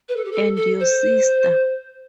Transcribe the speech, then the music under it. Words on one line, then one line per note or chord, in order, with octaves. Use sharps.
And Your Sister?
B4
A4
G4
A4
A4
C5